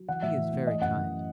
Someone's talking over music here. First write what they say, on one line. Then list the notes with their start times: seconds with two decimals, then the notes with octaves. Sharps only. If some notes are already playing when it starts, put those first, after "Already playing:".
"He is very kind."
Already playing: F#3
0.08 E3 F#5
0.22 A2 E5
0.37 E3
0.52 A2
0.67 E3 D#5
0.81 F#2 F#5
0.96 E3